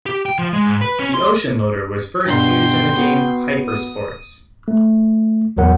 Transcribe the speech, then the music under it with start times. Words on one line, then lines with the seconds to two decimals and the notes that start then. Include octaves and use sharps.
The Ocean Loader was first used in the game "Hyper Sports".
0.06 G4
0.26 G5
0.38 F3
0.53 G#3
0.66 G#2
0.81 B4
1.00 C#4
1.14 C6
2.25 G2 B2 G5 C6
2.93 B3 F#4
3.66 D#6
4.68 A3
5.57 A1 E2 F#3 A#4 F#5